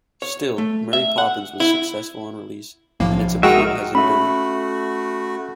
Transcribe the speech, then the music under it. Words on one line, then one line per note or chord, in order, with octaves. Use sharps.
Still, "Mary Poppins" was successful on release and its appeal has endured.
C#5
A3
E5
F#5
E4
B1 A2 F3 A#3
G#3 D#4 F#4 G#4 A#4 E5 G5
A3 C#4 F#4 E5 B5